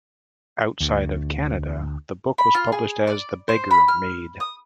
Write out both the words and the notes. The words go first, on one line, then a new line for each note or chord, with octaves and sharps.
Outside of Canada, the book was published as "The Beggar Maid".
D2
B5
F4
G#4
D5
C5
B5
F6
D#6